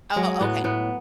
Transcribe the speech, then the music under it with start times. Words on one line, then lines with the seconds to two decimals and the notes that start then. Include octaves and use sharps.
Oh, okay.
0.16 F#3 G#3
0.41 A2 B3
0.64 A2 B3